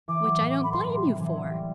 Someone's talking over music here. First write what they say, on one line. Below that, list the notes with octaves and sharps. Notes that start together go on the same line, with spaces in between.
'Which I don't blame you for.
E3 D6
F#3
A2
B5
B2 C6
A2
C3
E3
F#3
G3